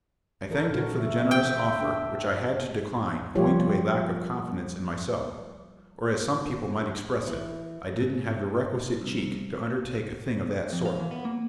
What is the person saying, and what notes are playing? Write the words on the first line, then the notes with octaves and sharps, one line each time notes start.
I thanked him for the generous offer, which I had to decline owing to a lack of confidence in myself; or as some people might express it, I didn't have the requisite cheek to undertake a thing of that sort.
E3 A4 A#4
A#2 C#3 F#4
E5
G5
D4
F3 G3 F4 G4 C#5
E3
G#2
C2
F2
F5
E3
B3
A#3